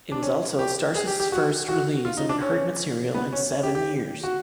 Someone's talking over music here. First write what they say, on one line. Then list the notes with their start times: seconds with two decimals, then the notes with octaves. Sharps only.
It was also Starr's first release of unheard material in seven years.
0.12 D4
0.22 C#4
0.59 G4
0.95 G#4
1.07 G4
1.20 G4
1.32 F#4
1.69 F#4
2.05 F4
2.17 D#4
2.29 D4
2.42 C#4
3.15 B3
3.33 C#4
3.51 C#4
3.63 G4
3.75 G4
4.23 F#4